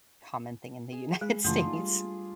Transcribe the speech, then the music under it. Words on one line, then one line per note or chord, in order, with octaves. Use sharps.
common thing in the United States.
G#4
G#3 G#4 B5
F#2 C#3 E3 A3 D4 F4 G#4
D#4
G3